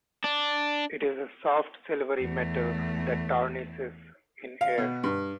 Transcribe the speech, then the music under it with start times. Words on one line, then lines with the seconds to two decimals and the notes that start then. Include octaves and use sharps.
It is a soft silvery metal that tarnishes in air.
0.24 D4
2.19 E2 A3
4.61 F5
4.78 B2
5.03 G2